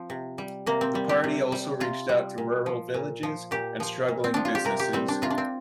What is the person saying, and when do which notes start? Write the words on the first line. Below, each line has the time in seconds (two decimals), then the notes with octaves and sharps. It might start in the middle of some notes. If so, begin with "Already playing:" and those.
The party also reached out to rural villages, and struggling businesses.
Already playing: F3 C4
0.10 C3
0.38 G3
0.66 C3 A#3
0.81 C4
0.95 G3
1.09 G4
1.24 C3
1.52 G3
1.80 C3 F4
2.09 G3
2.38 A#2
2.66 F3
2.94 A#2
3.23 F3
3.51 A#2 G4
3.80 F3
4.08 A#2
4.24 C4
4.34 F3 D4
4.45 F4
4.55 G4
4.65 C3 A#4
4.80 G4
4.93 G3 C4
5.08 D4
5.22 C3 F4
5.30 D4
5.38 C4